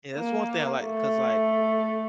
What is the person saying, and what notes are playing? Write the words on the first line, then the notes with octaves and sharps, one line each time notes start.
Yeah, that's one thing I like 'cause, like,
A#3
A3